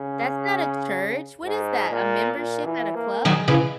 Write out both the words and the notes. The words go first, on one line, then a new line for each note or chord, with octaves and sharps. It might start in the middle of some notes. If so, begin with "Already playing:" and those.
That's not a church, what is that, a membership at a club?
Already playing: C#3
G#2
A#2
A#2
E3
A#3
D#3 F#3 G#3
C#3 E3